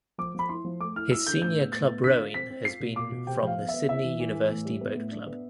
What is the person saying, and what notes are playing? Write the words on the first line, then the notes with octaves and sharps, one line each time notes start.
His senior club rowing has been from the Sydney University Boat Club.
F3 D6
F3 B5
E4 C6
F3
A3 D6
E4 F6
E4 E6
D3 G6
A2 G6
B3
A2 A6
B3
D3 B6
F4
C4 B6
C4
F4 C7
B2
F4 D6
B2
C3 G5
F3 F5
B3
E5
B3
E4 E5
E3
E3
E3
A2
G3
B3
A2
D4
B3